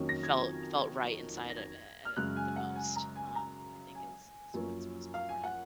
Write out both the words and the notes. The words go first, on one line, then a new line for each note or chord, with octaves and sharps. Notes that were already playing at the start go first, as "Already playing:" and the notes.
felt felt right inside a a a the most, um, I think is is what's most important.
Already playing: F2 D#3 F#3 A#3 C#4
A#6
G#6
A#6
G#6
F6
F#2 C#3 G#3 F#6
G#5
F#5
G#5
A#5
G#5
G#5
A#5
G#5
F#2 F3 A#3 C#4
F5
G#5
F#5